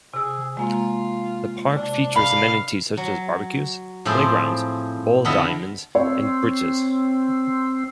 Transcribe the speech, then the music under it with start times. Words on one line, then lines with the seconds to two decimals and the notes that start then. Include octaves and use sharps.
The park features amenities such as barbecues, playgrounds, ball diamonds, and bridges.
0.14 C3 G#4 E6
0.57 G#3 A#3 F4
1.74 C3 D4
2.16 F5 B5
2.97 F#3
4.05 A2 F3 C4 E4 G#4 C5
5.25 F2 D3 B3 E4 D#5 F5
5.95 C4 C#5